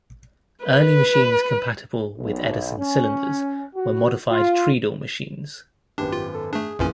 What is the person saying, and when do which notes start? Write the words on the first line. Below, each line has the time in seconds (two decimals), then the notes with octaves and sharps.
Early machines compatible with Edison cylinders were modified treadle machines.
0.65 B4
2.17 B1
2.78 C#4
3.75 F#4
4.29 F4
5.98 G#1 F#2 B3 D4 G4
6.12 F4
6.34 A4
6.53 A3 D4 G#4
6.79 A#1 F#2 A#2 E3 B3 C#4